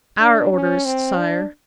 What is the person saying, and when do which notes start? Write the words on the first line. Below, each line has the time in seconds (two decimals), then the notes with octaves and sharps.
"Our orders, Sire."
0.20 D4
0.53 C#4
0.85 C4
1.18 D4